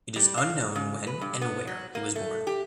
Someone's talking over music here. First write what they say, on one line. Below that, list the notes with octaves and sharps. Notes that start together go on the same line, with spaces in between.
It is unknown when and where he was born.
G3
F5
C#3
B4
G2
B3
F#3
A#3
A3
G4